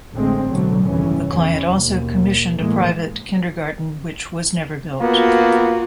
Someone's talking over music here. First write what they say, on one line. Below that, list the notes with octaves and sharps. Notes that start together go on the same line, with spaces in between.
The client also commissioned a private kindergarten which was never built.
A1 A2 D3 G#3 A3 C4
B2 D3 F#3 A3
F1 G2 C#3 E3 C#4
E2 E3 C#4
D#2 B2
A2 E3 G#3 A#3
A#3 B3 F4 F#4